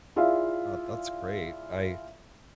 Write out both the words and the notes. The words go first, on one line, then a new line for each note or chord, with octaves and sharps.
Oh, that's great. I
E4 F4 G#4 D5 E5 F5